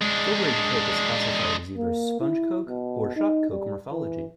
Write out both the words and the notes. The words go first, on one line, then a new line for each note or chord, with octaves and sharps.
Fuel-grade coke is classified as either sponge coke or shot coke morphology.
G#3 D4
A#3
E4
B2
D#4
G3
E3